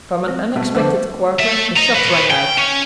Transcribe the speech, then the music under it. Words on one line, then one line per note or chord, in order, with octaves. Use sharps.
From an unexpected quarter a shot rang out.
G#3 C4
B2 G3 A3
F2 D3 F3 B3 C5 A5 D6
A3 E5
D#5 A#5
B4 C#5
G5
C#4